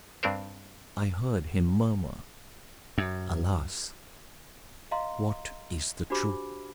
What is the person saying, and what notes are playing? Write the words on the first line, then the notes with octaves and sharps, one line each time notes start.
I heard him murmur, "Alas! what is the Truth?"
G2 C4 D4 A#4 C5
F#2
D#5 F5 A#5 C6
D4 F#4 G4 C5 B5 D6